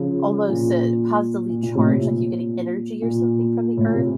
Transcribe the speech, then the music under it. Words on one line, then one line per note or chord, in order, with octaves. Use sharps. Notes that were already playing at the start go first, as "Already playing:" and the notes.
almost, uh, positively charged, like you're getting energy or something from the earth.
Already playing: C#3 F3
A#2
A#2
A#2
A2 C3
A#2
A#2
A#2
A2
A#2
C3